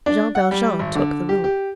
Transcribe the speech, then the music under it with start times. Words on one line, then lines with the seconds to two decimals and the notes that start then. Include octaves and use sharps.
Jean Valjean took the rope.
0.06 D4
0.35 F#5
0.51 G3
0.79 G#1
0.95 D3
1.29 G4
1.44 G4